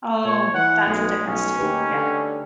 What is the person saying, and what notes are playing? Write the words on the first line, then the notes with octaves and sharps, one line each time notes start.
Oh, that's a difference too, yeah.
A#2 C#5
E3 F#5
B1 G#3 A3
B1 C#4
D#2 D#4 G4 B4
D3